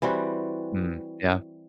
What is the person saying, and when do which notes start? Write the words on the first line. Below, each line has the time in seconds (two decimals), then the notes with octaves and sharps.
Mm, yeah.
0.02 E3 G3 C4 F#4